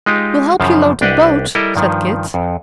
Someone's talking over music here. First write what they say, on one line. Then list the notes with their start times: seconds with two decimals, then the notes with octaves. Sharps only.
"We'll help you load the boat," said Kit.
0.06 G#3 D#4 F4 G4
0.60 F#2 C#3 F3 F5 A5
1.01 C2 D4 G4 B4 D#5 F#5
1.55 G3 E4 A4 A#4 D#5
1.76 G2 D#3 F3
2.34 F2